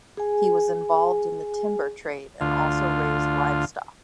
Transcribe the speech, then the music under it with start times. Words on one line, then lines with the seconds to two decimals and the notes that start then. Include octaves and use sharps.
He was involved in the timber trade and also raised livestock.
0.17 G#4 G#5
2.41 D2 F4